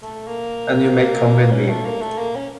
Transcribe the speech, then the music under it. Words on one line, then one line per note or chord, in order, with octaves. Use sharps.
And you may come with me.
A3
A#3
C#4
A3
A#3
A3
A#3
C#4